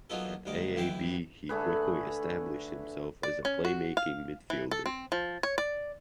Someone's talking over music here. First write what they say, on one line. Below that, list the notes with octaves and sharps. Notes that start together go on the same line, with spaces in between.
At AaB, he quickly established himself as a playmaking midfielder.
F#3 A#3 B3 D#4 F4 A4
D2 G2 D#4 D6
B1 F#2 E3 E4 G5 D6
D3 A3 G#4 B4
D5
C#4
F#4
F5
E3
A4
C4
F3
C#5
D5